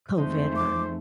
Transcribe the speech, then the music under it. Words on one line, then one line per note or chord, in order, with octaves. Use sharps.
COVID or,
F2 G#3 A3 D#4 C5
D6